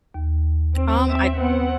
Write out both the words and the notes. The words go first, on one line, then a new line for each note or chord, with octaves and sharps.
Um, I
D#2
C4
C4 E5
B3 C4 F#5